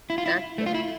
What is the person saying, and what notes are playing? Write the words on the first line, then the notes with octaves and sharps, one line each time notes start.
That's really neat.
E4
F4
E4
A3
F4
E4